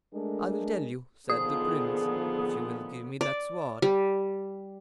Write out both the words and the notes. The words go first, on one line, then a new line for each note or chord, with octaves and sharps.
"I will tell you," said the prince, "if you will give me that sword."
G#3 A3 D4 A#4
A#2 D3 D#3 F3 B3 G#4 D#6
D5
G3